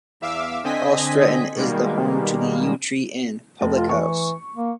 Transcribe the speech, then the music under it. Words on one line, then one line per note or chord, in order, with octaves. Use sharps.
All Stretton is the home to the "Yew Tree Inn" public house.
E2 E5 F5 D6 E6
D3 C4 D#5 G#5 B6
B2 D#3 G3 G#3 A#3
F1
F4
E3 C#6
A#3